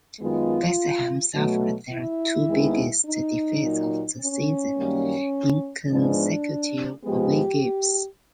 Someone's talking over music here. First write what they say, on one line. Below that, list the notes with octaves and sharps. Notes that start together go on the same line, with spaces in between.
West Ham suffered their two biggest defeats of the season in consecutive away games.
F#2 D#3 G#3 B3 F4
B2 F#3 A3
E4
D#2 D#3 G#3 B3
D#4
A#2 F#3 A#3
C#4
F#2 D#3 G3 A#3
G#2 F3 G#3 B3 D4
G#2 F3 G#3 B3 G4